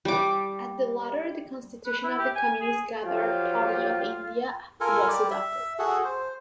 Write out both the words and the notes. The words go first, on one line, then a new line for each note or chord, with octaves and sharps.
At the latter the Constitution of the Communist Ghadar Party of India was adopted.
G3 D6
B4
E4
G4
G#5
G#4
F3 F#3 F4 G4
F4 A4 A#4 G#5
G3 G4 D5
E5
F#4 G#4 A4
C5